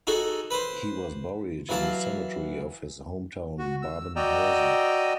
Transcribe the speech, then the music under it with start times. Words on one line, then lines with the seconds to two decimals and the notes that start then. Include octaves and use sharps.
He was buried in the cemetery of his hometown Babenhausen.
0.07 D#4 F#4 G#4 A4
0.51 B4 C5
1.69 E3 F#3 F5 A5
3.59 F#4
3.82 E6
4.16 F#4 D5 D#5 G5 A#5 E6